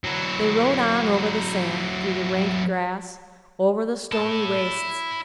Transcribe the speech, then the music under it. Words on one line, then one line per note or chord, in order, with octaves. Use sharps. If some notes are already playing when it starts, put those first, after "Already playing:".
They rode on over the sand, through the rank grass, over the stony wastes.
F#3 E4
E4 A5